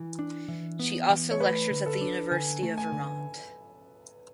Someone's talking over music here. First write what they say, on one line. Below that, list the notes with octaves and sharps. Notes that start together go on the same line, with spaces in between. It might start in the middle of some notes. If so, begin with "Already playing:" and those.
She also lectures at the University of Vermont.
Already playing: E3
D4
E3
B3
E3
C#5
A3 B4
D3
A4
D4
D3 G#5
A3
G#5
D3